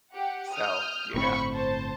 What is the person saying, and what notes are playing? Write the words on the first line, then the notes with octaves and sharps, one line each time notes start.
So, yeah.
G4 F#5
D#6 F6 G6
G1 A2 C4 C5 B5 C#6
C5 A5